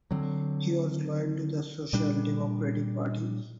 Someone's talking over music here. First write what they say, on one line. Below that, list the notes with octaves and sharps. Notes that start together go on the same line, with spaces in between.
He was loyal to the Social Democratic Party.
D3 F#3 C4
A#2 G3 D4